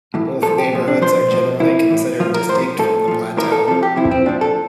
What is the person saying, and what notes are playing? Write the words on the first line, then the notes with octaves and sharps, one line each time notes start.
Both neighbourhoods are generally considered distinct from the Plateau.
A2 E3
A#2 F3 A4
G4
A#2 F3
D4
A#2 F3 C5
A2 F3
C3 E3 E4
A2 E3
A2 F3 F4
A#4
A2 F3 C5
A2 F3 A4
A#2 F3
A2 E3 A#4
A4
C3 F3 A4
G4
C3 F3 E4
C4
A#2 F3 D4
A4